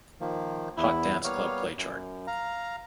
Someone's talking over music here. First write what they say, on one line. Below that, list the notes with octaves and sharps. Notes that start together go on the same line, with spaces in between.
Hot Dance Club Play chart.
D#3 F3 A#3
E2 E4
G3 A#3 B3 C#5 F5
F#2
F5 A#5